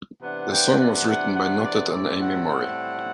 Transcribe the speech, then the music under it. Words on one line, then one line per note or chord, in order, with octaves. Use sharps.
The song was written by Nottet and Amy Morrey.
C3 E3 B3 D4 F#5
G5
F#5
F#5
F#5
D5
A2 G3 C4 D5
F#5
F#5